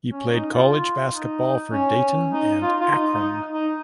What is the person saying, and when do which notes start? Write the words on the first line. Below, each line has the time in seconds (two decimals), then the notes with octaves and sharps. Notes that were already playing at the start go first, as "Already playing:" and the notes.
He played college basketball for Dayton and Akron.
0.12 C#4
0.32 D#4
0.51 F4
1.13 D#4
1.72 C#4
2.33 D#4
2.63 F4
2.80 F4
2.92 D#4
3.13 D#4
3.53 D#4